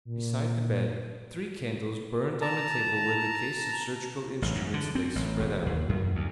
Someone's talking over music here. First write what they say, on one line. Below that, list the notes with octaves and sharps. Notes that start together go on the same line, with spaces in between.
Beside the bed, three candles burned on a table where the case of surgical instruments lay spread out.
A#2
A5 A#5
A1
F#2
D3
C4
A1
E1
D#2
F#2
D2